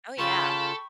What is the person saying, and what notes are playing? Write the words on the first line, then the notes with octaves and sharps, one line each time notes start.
Oh, yeah.
C#3 F4 A4 G5 B5 C#6